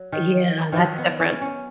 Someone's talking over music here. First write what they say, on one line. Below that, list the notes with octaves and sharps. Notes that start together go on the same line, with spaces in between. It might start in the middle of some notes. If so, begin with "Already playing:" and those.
Yeah, that's different.
Already playing: F#3
D#3
D#3 F#3
B3
C#4
C#4